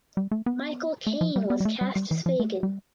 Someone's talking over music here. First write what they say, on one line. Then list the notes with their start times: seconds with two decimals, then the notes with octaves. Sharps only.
Michael Caine was cast as Fagin.
0.17 G3
0.31 A3
0.46 B3
1.07 A3
1.21 F3
1.36 G3
1.50 B3
1.60 G3
1.65 A3
1.81 G3
1.96 G3
2.11 E3
2.26 F3
2.40 A3
2.63 G3